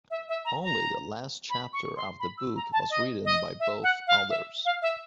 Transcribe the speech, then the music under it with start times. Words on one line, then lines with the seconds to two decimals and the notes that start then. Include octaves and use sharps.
Only the last chapter of the book was written by both authors.
0.11 E5
0.29 E5
0.45 A#5
0.64 A#5
1.50 B5
1.73 C#6
1.96 C6
2.20 B5
2.38 E6
2.56 A#5
2.73 A5
2.90 D#5
3.25 D#5
3.60 E5
3.83 F#5
4.07 F5
4.29 E5
4.65 F5
4.82 E5